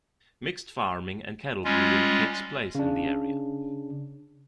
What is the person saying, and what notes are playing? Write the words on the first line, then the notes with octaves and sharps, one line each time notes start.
Mixed farming and cattle breeding takes place in the area.
G3 G#3 C#4 F4
C#3 D4